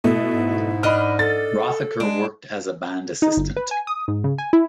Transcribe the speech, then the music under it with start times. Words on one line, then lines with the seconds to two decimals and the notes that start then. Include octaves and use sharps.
Rothacker worked as a band assistant.
0.04 B2 A3 E4
0.34 G#2
0.83 D4 D#5 B5 F6
1.19 A4 A6
2.00 G#3 D4
3.22 D#4
3.37 G1
3.57 B4
3.71 G#5
3.87 D#6
4.08 G#2
4.24 C#3
4.38 G#5
4.53 E4